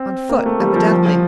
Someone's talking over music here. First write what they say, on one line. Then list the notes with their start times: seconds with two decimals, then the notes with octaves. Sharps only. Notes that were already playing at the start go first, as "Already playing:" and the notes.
On foot, evidently.
Already playing: C4
0.29 A#3
0.46 A3
0.60 G3
0.76 F3
0.92 F3
1.06 F3